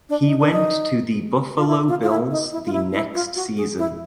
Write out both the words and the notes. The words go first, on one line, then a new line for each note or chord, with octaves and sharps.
He went to the Buffalo Bills the next season.
D4
D#4
D4
D#4
F4
E4
F4
F4
E4
D#4
E4
F4
E4
E4
F4
F#4
G#4
E4